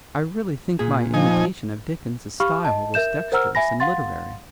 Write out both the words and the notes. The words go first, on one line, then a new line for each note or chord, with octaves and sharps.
I really think my imitation of Dickens's style was dexterous and literary.
A#2 G#4
F3 D#4 G#5
G4 F5 B5 C#6 F6
D#5 A5
A#4 E5 G6 E7
A#4 C5 F#5 A#5 E6 F6
E5 G#5 B5 A#6
F5 F#5 C6 A6